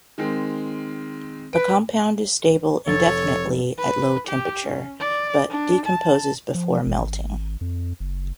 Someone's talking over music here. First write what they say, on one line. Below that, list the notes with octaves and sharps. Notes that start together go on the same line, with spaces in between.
The compound is stable indefinitely at low temperature, but decomposes before melting.
D#3 G#3 C4
B4 D7
F1 A4 C#5 A6
B4
G4
C#4
D5
D4
A5
F3
G#1
F2
F#1